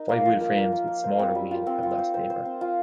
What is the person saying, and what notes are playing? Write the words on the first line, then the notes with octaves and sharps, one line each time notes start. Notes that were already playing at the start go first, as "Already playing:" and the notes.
Five-wheel frames with smaller wheel have lost favor.
Already playing: D#4 A#4
A#3
F3
A#4
A#3
A#4
F3
C5
C4
G3
F4
C4
F4
C5
C5
C5
C4
F4